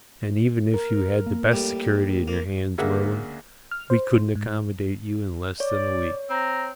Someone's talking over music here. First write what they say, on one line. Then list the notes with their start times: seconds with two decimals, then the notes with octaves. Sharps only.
And even if you had the best security in your hands, Merwin, we couldn't accommodate you in less than a week.
0.74 A#4
1.27 A#3
1.52 A2 G3
2.28 A#3
2.78 D2 C#3 G#3 A#3 E5 F#5
3.71 F6
3.90 C5
4.35 G#2
5.60 C#5 D5
6.30 C4 A#5